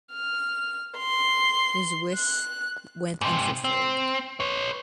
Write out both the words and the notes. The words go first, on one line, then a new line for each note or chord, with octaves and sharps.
His wish went unfulfilled.
F6
C6
F#6
G#2 C3
C4
B4 C#5